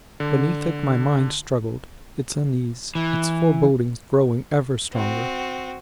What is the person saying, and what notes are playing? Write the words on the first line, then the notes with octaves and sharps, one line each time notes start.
Beneath it my mind struggled, its unease, its forebodings growing ever stronger.
D3
E3
C4 F#4